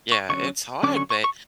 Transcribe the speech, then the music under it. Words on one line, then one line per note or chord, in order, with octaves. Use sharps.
Yeah, it's hard, but
C#6
D3 F#3 C#4 C#6
D3 F#3 C#4 D6
C#6
C#6
C#6